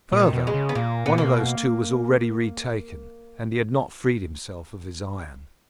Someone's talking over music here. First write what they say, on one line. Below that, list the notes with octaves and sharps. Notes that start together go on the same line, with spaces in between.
Further, one of those two was already retaken, and had not freed himself of his iron.
A#2
D#3
B2
G#3
C#3
B3
A#2 A#3
A#2 B3
B2 A#3